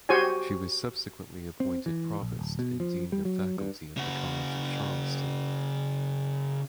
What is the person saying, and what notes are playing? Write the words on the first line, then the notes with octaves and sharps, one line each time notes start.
She was subsequently appointed provost and dean of faculty at the College of Charleston.
F#4 G4 C5 C#5 G#5
C4
E3
A#1
D1
B2
F3
G3
F#3
G2
C#3 F#4